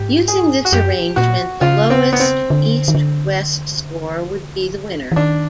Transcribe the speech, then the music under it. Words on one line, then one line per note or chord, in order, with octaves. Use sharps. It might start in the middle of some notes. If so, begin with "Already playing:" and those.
Using this arrangement, the lowest East-West Score would be the winner.
Already playing: G#2 G4
G#4
F#4
F#2 G4
A#2 F#4
C#3 F4
C4
B3
C4
D3
D#3
D3
E3
D#3 D4